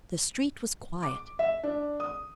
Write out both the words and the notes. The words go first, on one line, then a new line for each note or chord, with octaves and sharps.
The street was quiet.
D6
E5
D4
D#6